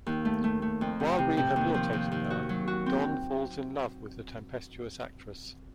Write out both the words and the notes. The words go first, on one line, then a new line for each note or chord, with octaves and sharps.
While rehabilitating her, Don falls in love with the tempestuous actress.
D#2
A3
A3
A3
F2
C3
C3
C3
D#2
F3
D#2
D#2
F#4
F#3
F#4
C4